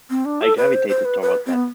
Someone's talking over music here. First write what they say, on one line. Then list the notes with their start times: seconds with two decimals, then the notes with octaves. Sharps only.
I gravitated toward that.
0.10 C4
0.25 D4
0.42 A4
0.57 B4
0.74 C5
0.89 C5
1.05 B4
1.21 B4
1.46 C4
1.53 B3